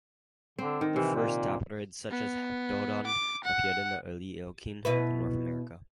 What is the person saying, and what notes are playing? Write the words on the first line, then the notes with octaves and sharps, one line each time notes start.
The first tapirids, such as "Heptodon", appeared in the early Eocene of North America.
D3 C4
D#3
C3 E3
A#2
B3
D6
F#5
B2 E4 B4